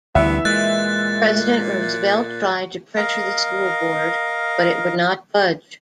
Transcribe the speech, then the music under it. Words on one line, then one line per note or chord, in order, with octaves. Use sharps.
President Roosevelt tried to pressure the School Board, but it would not budge.
D2 E3 G3 B3 E5
A#2 G#3 F#6 A6
A#4 D#5 F5